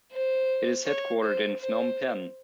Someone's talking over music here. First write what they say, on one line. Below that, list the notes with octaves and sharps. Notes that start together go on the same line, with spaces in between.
It is headquartered in Phnom Penh.
C5
C#5
C5
C5